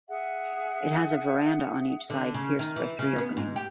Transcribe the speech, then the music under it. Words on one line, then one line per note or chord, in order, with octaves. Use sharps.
It has a verandah on each side pierced by three openings.
G#4 E5 F#5
D3
C#3
D#3
E3
C#3
B3
G#2
G4